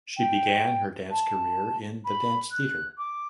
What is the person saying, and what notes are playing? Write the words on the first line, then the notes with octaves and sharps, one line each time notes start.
She began her dance career in the dance theatre.
G5
A5
B5
F#6
D6